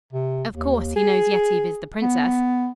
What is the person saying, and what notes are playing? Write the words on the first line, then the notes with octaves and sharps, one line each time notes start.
Of course, he knows Yetive is the princess.
C3
D#2
G#4
B3